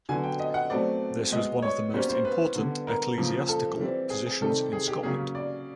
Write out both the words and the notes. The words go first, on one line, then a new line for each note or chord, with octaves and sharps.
This was one of the most important ecclesiastical positions in Scotland.
D3 F#3 B3 G#5
G5
D#5
F#5
B2 F#3 A3 C4 D5
B2 G#3 B3 D#5
C#5
B2 G3 A#3 C#4 C5
C5
B4
D3 G3 B3
A#4
C#3 F3 A#3
A4
E3 G3 C4
G#4
G#4
C3 D#3 G3 A4
G#4
G4
C#3 F#3 A#3 C#4 G#4
D5